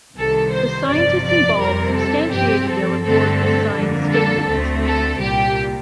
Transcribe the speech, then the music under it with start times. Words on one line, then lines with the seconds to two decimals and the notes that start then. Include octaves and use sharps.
The scientists involved substantiated the report with signed statements.
0.16 C2 C3 D#3 A4
0.52 C5
0.88 G1 F2 C3 F3 D5
1.24 D5
1.60 F2 C3 G3 C4 A#4
1.97 A4
2.32 G2 F3 C4 G4
2.68 A4
3.04 G2 D3 A3 C4 A4
3.40 A4
3.76 F2 D3 G3 A#3
4.12 A4
4.47 D2 D3 A3 C4
4.84 A4
5.19 C2 A#2 G3 G4